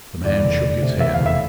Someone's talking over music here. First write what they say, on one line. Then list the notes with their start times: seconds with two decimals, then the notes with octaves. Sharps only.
The man shook his head.
0.25 E2 D5
0.44 F1
0.63 F1
0.82 C3
1.00 E2 E5
1.14 F5
1.20 F1
1.26 E5